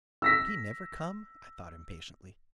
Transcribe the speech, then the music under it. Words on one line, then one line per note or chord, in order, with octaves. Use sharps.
Would he never come? I thought impatiently.
E6 A#6 B6